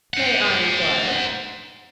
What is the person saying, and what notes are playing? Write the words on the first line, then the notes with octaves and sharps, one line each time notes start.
May I inquire?'
C5 F#5